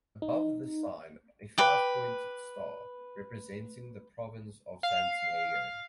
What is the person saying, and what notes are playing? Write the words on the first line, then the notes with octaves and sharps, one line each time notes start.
Above this sign, a five pointed star, representing the Province of Santiago.
D#4
B4 G5 D6
F5